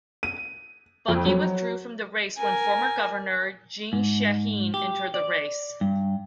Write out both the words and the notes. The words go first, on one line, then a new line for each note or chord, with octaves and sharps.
Buckey withdrew from the race when former Governor Jeanne Shaheen entered the race.
D#7
F2
F#3
A#4 G#5
G#2
G4
D5
G2